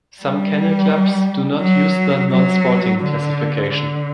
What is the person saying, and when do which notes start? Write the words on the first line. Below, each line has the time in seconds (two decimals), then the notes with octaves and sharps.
Some kennel clubs do not use the "Non-Sporting" classification.
0.21 G3
1.61 F#3
2.31 F#3
3.01 D3
3.70 D3